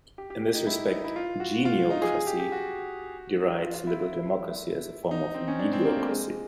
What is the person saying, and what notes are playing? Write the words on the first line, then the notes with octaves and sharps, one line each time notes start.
In this respect, Geniocracy derides Liberal Democracy as a form of "Mediocracy".
G4
G4
G4
D#4
E4
D#4
E4
F4
F#4
F4
D#4
G#4
G#4
G4
G4
F#4
F4
F4
E4
E4
D#4
C4
C#4
D4
C4
A#3
A3
G#3